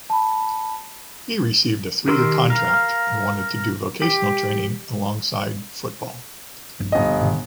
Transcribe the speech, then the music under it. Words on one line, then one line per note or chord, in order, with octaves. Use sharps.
He received a three year contract and wanted to do vocational training alongside football.
A5 B5
D#3 G4 A#4 C6 E6
A#4 F5
G4
A#1 G2
G1 D#5
G#2 B2 D#3